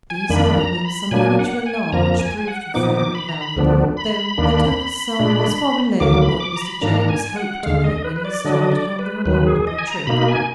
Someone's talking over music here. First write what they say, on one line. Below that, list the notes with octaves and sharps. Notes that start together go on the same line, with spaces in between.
These diamonds, some of which were large, proved very valuable, though the total sum was far below what Mr. Jenks hoped to make when he started on the remarkable trip.
G#5
F2 D#3 A#3 D4 B5
A#5
B5
A#2 F#3 A#3 D4 G#5
F#5
G#5
F2 F3 A#3 A#5
G#5
G#5
F#5
A#2 F3 B3 D#4 D6
D6
B5
A#5
B5
D2 D3 F3 B3 D4
B5
D#2 D#3 A#3 D4
A#2 G#3 D4
D2 D3 F#3 A#3 D6
B5
D6
A#5
B5
G#2 D#3 A#3 D4 A#5
A#5
G#5
F#5
D#2 D3 G#3 F5
D#5
B4
B4
D5
D3 F#3 D4 D#5
D5
D#5
D5
B4
D#2 D#3 F#3 B4
G#4
D#5
G#5
A#5
B2 A#3 D#4 B5
G#5